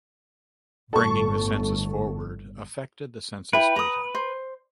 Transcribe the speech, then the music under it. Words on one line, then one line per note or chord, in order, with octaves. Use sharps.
Bringing the census forward affected the census data.
G1 A2 A4 C#6
E4 B4 G5
A#5 D#6
C5